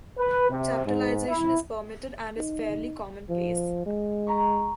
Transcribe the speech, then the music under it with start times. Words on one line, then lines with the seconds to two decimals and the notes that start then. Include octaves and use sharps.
Chaptalization is permitted, and is fairly common-place.
0.17 B4
0.49 C3
0.86 G#2
1.28 E4
2.38 D#4
3.30 F3
3.86 G#3
4.27 A#5 B5 C#6